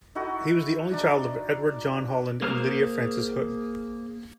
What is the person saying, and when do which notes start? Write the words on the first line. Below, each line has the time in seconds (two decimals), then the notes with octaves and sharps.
He was the only child of Edward John Holland and Lydia Frances Hood.
0.15 D#4 E4 F#4 A4
0.92 D4 D#4 D5 A#5
2.42 A#3 G#4 C5 A#5 F6